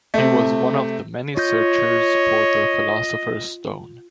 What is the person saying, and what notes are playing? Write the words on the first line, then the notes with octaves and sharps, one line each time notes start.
He was one of the many searchers for the Philosopher's stone.
C3 A3
F4 C#5 D#5 G6